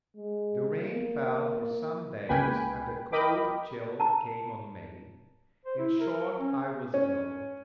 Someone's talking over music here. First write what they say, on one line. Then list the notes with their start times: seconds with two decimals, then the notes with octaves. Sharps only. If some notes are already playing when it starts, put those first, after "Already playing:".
The rain fell for some days and a cold chill came on me; in short I was ill.
0.17 G#3
0.81 A#3
2.29 C#2 A#3 B4 G5 G#5 B5
3.12 A#4 D#5 G5 B5 D6
4.00 A5 A#5
5.65 C5
5.79 E4
6.01 A#4
6.39 C#4
6.94 C#4